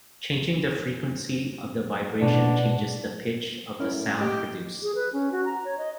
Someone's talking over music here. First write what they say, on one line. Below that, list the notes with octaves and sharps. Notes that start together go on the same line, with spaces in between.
Changing the frequency of the vibration changes the pitch of the sound produced.
B2 D4
C#4 E4 A#4
A2
G4 D#5 G5 D6
G#4
B4
C#4
F#4
A#5
C#5
D#5